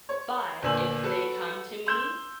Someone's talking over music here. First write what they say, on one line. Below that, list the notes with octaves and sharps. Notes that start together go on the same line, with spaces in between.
But if they come to me
C#5
G1 A#2 D5 G#5 E6 F#7
F#4 A4 B4 E6
C6 E6 G6 E7